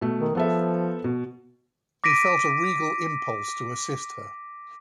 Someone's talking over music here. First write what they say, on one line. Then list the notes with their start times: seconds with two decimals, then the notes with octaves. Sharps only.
He felt a regal impulse to assist her.
0.01 B2 A3
0.19 D#3
0.35 F3 B3 A4 E5
1.04 B2
2.04 D6 A#6 B6 D7 D#7